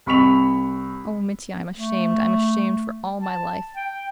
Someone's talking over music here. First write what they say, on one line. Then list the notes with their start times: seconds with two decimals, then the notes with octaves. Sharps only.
Oh, Mitya, I'm ashamed, I'm ashamed for all my life.
0.06 C2 B5 C#6 B6 F7
1.75 A3
3.21 A5
3.76 G5